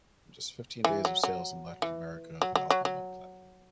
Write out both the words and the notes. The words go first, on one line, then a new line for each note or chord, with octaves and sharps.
In just fifteen days of sales in Latin America, the album went platinum.
E3
F#3
F#3
E3
F#3
F#3
F#3
F#3